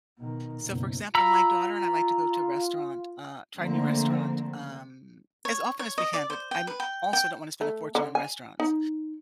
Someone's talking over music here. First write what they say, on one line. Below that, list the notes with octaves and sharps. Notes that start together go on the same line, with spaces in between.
So, for example, my daughter and I like to go to a restaurant uh, try a new restaurant, um, as often as we can, but I'm also don't wanna spend a fortune on restaurants.
B2 D#3
F#1 B2
F4 A#5 B5 E6
D3 F3 A3 A#3 C4
C#5
C#5
D#5
D5
C5
G5
B4
G5
G5
A3
D3
G#5
D#4